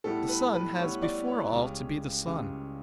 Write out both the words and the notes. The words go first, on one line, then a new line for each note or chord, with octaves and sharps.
The sun has before all to be the sun.
A2 G3 B3 E4 A4
B4
B4
A2 G3 B3 E4 C#5
D5
C#5
C#2 C#3 G3
C#2 C#3 G3